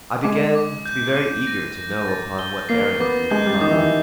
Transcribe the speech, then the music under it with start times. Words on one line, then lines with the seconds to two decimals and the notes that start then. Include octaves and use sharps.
I began to be very eager to know upon what errand he had come.
0.24 G#3 D6
0.55 D6
0.86 G6
1.16 D#7
1.47 A#6
1.77 A#6
2.08 A6
2.39 G7
2.69 A#3 C7
3.00 B3 D6
3.31 G#3 G6
3.46 G3
3.61 D#3 D#6
3.71 E3
3.77 D#3